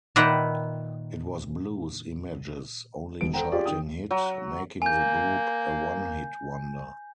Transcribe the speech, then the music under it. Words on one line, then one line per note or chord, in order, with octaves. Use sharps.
It was Blues Image's only charting hit, making the group a one-hit wonder.
A#2 D#3 B4 E5 F#5 G5
E1 D#2 B3 D7
A4 C5 F#5 G5 A#5
F4 G4 G#4 D5
D#3 G5 D#6
F#3
A#3 G#5 G6